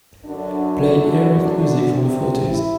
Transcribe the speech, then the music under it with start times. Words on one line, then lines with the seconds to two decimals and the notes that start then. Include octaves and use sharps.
Play Arif music from the fourties.
0.24 F#2 D3 F#3 D4
0.80 D3 D4
1.36 D3 D4
1.92 C3 C4
2.48 E4